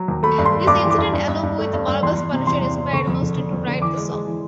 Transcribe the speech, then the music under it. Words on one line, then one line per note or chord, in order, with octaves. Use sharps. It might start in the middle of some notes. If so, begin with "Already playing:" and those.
This incident, along with Marvel's Punisher, inspired Mustaine to write the song.
Already playing: F#3
D#2
A3 B5
G2
C6
A3
G2 D6
E3
D6
G2
G2
G2
G2
A3
G2
G2
E2 C6
E2
C3
E2 C6
E2
C3
D3 C#6
F2
D3
D3
F2
D3
E3 D6
G#3
G#3
E3